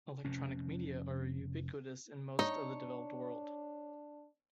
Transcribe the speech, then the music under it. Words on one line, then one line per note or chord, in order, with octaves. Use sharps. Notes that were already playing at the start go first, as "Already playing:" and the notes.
Electronic media are ubiquitous in most of the developed world.
F1 F2 C3 C#4
D4 D#4 C#5